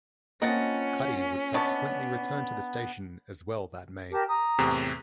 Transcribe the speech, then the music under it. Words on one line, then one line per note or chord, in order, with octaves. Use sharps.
Cuddy would subsequently return to the station as well that May.
A#3 C4 C#4 F4 A#4 D#5 F#5 A5
B3 D4 C#5 D#5 A5
G4 A#4 A5
A#5 D#6
E2 A2 C3